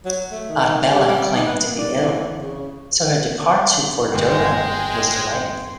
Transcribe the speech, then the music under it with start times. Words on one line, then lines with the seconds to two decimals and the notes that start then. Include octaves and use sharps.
Arbella claimed to be ill, so her departure for Durham was delayed.
0.05 F#3
0.31 A3
0.49 D#3
0.62 D#3
0.92 G4
1.08 G3
1.34 D#4
1.47 B4
1.63 A#3
1.79 D5
2.02 E3
2.42 C#3
4.12 G1 G#3 F#5 G5 C6